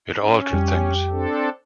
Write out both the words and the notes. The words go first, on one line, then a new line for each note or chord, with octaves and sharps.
It altered things.
C#4
F2 G3 G4
C4 D4 A4